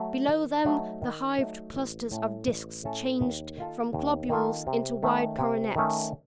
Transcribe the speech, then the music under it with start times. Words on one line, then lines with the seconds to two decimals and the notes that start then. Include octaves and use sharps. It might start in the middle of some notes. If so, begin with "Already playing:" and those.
Below them the hived clusters of disks changed from globules into wide coronets.
Already playing: F#3 A3
0.28 D#3
0.66 F#3 A3 D#4
1.01 D#3
1.38 F#3 A3 D#4
1.74 A1
2.11 A2 A3 C#4 A4
2.48 A1
2.83 A2 A3 C#4 A4
3.21 D#2
3.57 D#3 A#3 F4 A4
3.93 D#2
4.29 D#3 A#3 F4 A4
4.67 C3
5.03 D#3 A3 C#4
5.39 C3
5.76 D#3 A3 C#4